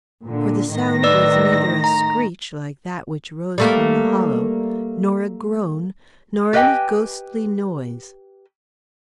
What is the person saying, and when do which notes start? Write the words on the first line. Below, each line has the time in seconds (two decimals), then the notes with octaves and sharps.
For the sound was neither a screech like that which rose from the hollow, nor a groan, nor any ghostly noise.
0.24 A#2 D3
0.73 A2 D#3 A#6
1.03 B4 D5 E6
1.84 A#5
3.58 G3 A3 A#3
6.53 G4 B4 D#5 F5 G5 G#5